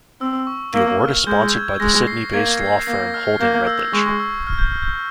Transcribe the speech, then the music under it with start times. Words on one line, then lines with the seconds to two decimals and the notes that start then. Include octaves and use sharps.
The award is sponsored by the Sydney based law firm Holding Redlich.
0.21 C4 E6
0.47 C#6
0.74 A#3 E6
1.01 F6
1.27 G#3 G6
1.54 G#6
1.80 G#3 A#6
2.07 C7
2.34 A#3 G#6
2.60 C7
2.80 C7
2.87 A#3 A#6
3.14 F6
3.40 A#3 G6
3.67 E6
3.93 G#3 C#6
4.20 E6
4.47 F6
4.58 G6
4.64 F6
4.82 G6